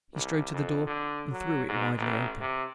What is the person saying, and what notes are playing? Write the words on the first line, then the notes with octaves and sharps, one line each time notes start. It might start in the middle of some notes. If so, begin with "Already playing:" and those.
He strode to the door--and threw it widely open.
C2
F2
D3
F#3
G#2
A1
C3